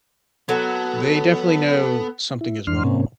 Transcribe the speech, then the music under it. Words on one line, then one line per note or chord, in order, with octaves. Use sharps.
they definitely know something is wrong
F#3 B3 A4
E4
F2 E3 D4 C6 F6
G#2 C3 A#3 C4 C#4